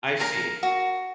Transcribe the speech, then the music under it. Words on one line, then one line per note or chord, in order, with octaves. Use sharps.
I see.
A#4 A#5
F#4